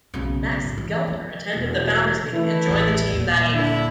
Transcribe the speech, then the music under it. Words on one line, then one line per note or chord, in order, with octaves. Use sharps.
Max Geldner attended the founders meeting and joined the team that evening.
B1 C#3
G#2
E3
F3
E1
E3 A3 E4
A1 D#2
D#1 A#2
D3 E4